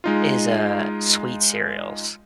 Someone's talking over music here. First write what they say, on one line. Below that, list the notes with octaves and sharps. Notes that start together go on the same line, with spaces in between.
is, uh, sweet cereals.
G#3 D#4 F4